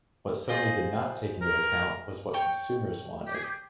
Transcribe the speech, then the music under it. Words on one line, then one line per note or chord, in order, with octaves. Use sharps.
What Sony did not take into account was what consumers wanted.
F4 G#4 C5 D#5
A#4
C#5 G5 C#6
G4
G#4
G4